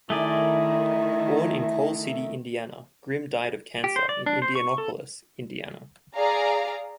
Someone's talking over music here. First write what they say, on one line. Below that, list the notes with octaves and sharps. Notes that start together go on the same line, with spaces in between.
Born in Coal City, Indiana, Grim died of cancer in Indianapolis, Indiana.
D#3 A3 E4 G#4 D5 E5
G4
C5
D5
D4
C5
C#6
A4
G#4 D5 F5 A#5